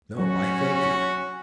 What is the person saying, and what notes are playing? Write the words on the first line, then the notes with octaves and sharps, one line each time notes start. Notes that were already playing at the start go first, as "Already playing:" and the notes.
"No, I thank you."
F#3 C#4 F#4